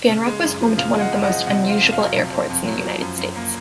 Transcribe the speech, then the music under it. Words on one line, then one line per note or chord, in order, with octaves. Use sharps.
Fanrock was home to one of the most unusual airports in the United States.
C#3
G#3
F#2
F3
C#3 F5
G#3
D#5 F#5
F#2
D#5 F#5
F3
C3 D#5 F#5
C4
F5
F2
F5
F#3
C3
C4
F2
F#3
F3
F#2
F#2
A#3